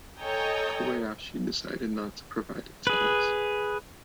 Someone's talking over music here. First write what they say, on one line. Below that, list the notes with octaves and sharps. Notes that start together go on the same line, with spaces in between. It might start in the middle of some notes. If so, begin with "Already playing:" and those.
Kobayashi decided not to provide italics.
A4 C#5 D#5 G5 G#5 A#5
G#4 B4